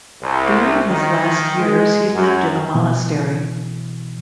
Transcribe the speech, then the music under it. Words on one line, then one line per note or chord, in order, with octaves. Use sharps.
During his last years he lived in a monastery.
C2
D#3
G#3
F#2
B2 E3